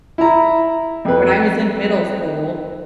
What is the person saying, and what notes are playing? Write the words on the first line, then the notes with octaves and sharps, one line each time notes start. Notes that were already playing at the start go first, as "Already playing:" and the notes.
When I was in middle school
E4 A#5
F2 B4